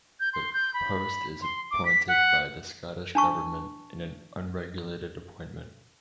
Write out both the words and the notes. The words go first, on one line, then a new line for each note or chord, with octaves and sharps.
The post is appointed by the Scottish Government in an unregulated appointment.
G6
C6
G6
B5
C6
D6
B6
F#5
D4 A5 C#6